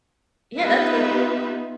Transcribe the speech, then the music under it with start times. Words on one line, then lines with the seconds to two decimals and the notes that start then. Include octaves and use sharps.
Yeah, that's a
0.58 B3 D#4 F4 G4 B4 E5